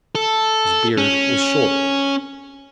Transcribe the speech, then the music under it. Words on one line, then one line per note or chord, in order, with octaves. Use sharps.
His beard was short.
A4
C#4